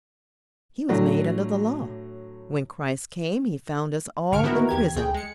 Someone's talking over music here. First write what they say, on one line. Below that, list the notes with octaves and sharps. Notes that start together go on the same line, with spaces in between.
"He was made under the law." When Christ came He found us all in prison.
A2 F#3 D4
A#1 G#2 D3 C#6 F6 D7
D#3 B3 E4 F#4 A#4
E2 G4 G#6
D2 G#4 G5
G#3 C#7